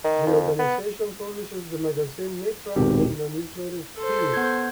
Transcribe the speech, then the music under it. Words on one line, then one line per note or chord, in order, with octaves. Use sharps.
The organisation publishes the magazine "Mitra" and the newsletter "Tiri".
D#3
F2
B3
D#1 G#1 B2 G4
A4 C5
B3 G6 G#6